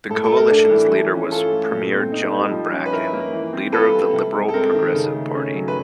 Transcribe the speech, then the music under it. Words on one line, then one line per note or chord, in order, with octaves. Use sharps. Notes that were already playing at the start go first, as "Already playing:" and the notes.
The coalition's leader was Premier John Bracken, leader of the Liberal-Progressive Party.
A2 A4
A4
A3
A#4
D4 A4
E3
E3
C#4
F4 A4
A3
A#2
C4
D#4
G3
F3
C#4
B4
E4 A#4
A#3
E3
C4
F4 A4 B4
G3
C3
G#3
A4
C4 A#4
D#3
C#3
A3
C#4
F#3
B4